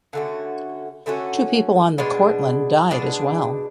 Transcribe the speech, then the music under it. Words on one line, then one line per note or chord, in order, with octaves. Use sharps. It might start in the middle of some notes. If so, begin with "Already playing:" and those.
Two people on the "Cortland" died as well.
D3 A3 C#4 F#4
D3 A3 C#4 F#4
B2 G#3 D4
B2 G#3 D4